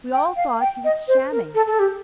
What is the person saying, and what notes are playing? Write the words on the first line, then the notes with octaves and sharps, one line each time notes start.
We all thought he was shamming.
G5
F5
G5
D#5
C5
A#4
A4
A4
G4